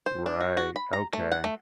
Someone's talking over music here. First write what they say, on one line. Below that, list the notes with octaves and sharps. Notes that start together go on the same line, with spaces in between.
Right, okay.
C5
D4
F#4
F#4
B5
A#5
A3
F#5
A3